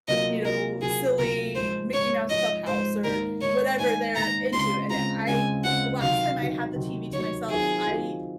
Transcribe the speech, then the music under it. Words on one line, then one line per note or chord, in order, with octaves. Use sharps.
you know, silly Mickey Mouse Clubhouse, or whatever they're into, and e I the last time I had the TV to myself, I
C3 F#3 A#3 F4 D#5
C3 F#3 A#3 F4 A#4
C3 F#3 A#3 F4 G#4
C3 F#3 A#3 F4 A#4
G#2 F3 G#3 C5
G#2 F3 G#3 C#5
G#2 F3 G#3 D#5
G#2 F3 G#3 C5
G#2 D#3 A#3 D#4 A#4
G#2 D#3 A#3 D#4 C#5
G#2 D#3 A#3 D#4 G#5
G#2 D#3 A#3 D#4 A#5
C#3 G#3 C4 F4 C6
C#3 G#3 C4 F4 A#5
C#3 G#3 C4 F4 G#5
C#3 G#3 C4 F4 F#5
C3 D#3 F#3 F5
C3 D#3 F#3
C3 D#3 F#3
C3 D#3 F#3 C#5
D#3 F#3 C4 F4 G#4
D#3 F#3 C4 F4